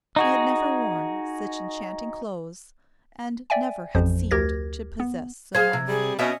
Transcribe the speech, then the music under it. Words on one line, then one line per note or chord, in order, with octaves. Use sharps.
She had never worn such enchanting clothes and never had seemed to possess so many.
D#4 F#4 G#4
D5 E5 G5 G#5
A1 F2 F3 C5
D2 G4 A#4 G#6 A#6
B3
G#4 C5 F5 G#6
C3
G3 G#4
B2 C#4 D#5 E5